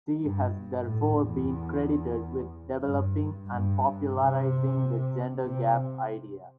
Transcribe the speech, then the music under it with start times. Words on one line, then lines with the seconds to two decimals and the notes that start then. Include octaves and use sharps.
She has therefore been credited with developing and popularizing the gender gap idea.
0.20 G2
0.85 A2
1.18 E2
2.82 G2
3.48 G2
4.13 C3
5.45 C3